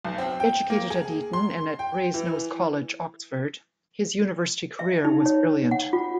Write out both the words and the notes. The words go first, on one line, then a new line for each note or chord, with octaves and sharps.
Educated at Eton and at Brasenose College, Oxford, his university career was brilliant.
B1
C4
G5
A#3
G#4
C6
G5
E3
E5
D#4
C#5
F#5
F4